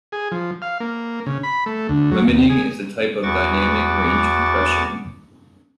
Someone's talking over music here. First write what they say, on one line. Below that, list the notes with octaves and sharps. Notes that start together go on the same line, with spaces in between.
Limiting is a type of dynamic range compression.
G#4
F3
F5
A#3
C#3
B5
A3
D2
F#3
D#2
G#4
E2 F#4 C#6 D6 A6